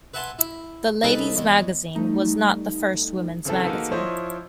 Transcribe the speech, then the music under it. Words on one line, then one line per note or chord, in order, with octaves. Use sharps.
"The Lady's Magazine" was not the first women's magazine.
B4 E5 F#5 G#5 A5 C6
E4
C2 D#4 G#4 A4 B4 B5
E2 G#3
G3 A3 D#4
C#3 E3 C4 E4 A4
G#3 A#3 D#4 F#4 A4 B4
F3 E4 C5 C#5 D#5